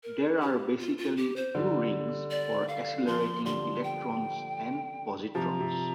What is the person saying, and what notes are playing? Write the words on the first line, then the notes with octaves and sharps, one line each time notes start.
There are basically two rings for accelerating electrons and positrons.
A#4
G4
F4
F4
G4
C5
D3 G3
D5
F5
F3 A#3 C6
D3 G3 C6
G5
C3 F3 A#5
C3